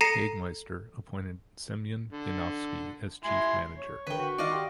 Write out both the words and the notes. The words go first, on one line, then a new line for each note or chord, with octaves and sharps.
Hagemeister appointed Semyon Yanovsky, as Chief Manager.
A4 A#5 A#6 C7 C#7 D#7
D3
E4 G#5 C6
C#5
D3 A#4 B4 G5
F#4
D#3 D5 D#5 F5
G4 G5 C6